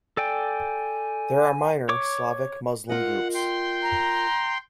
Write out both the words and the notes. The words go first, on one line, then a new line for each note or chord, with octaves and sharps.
There are minor Slavic Muslim groups.
A4 D5 G5 G#5
C#5 C#6 D6
F4 A#4 D#5 F#5
G5 C6
A#5